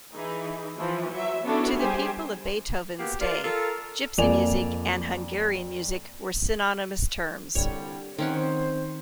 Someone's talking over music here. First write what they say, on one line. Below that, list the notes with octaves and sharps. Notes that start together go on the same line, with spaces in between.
To people of Beethoven's day, "gypsy music" and "Hungarian music" were synonymous terms.
E3 D#4 G#4
E3 F3 F4
F#3 E5
B3 C#4 D4 E4 F#4 A4
G3 G4 G#4 C5 G#5
A#3 B3 F#4 G4
F4 A#4 D5
F4 A4 A#4
F2 A#3 D5 G#5 F7
C2 D3 G3 C#5
D#3 C4 C#4 C5 F#5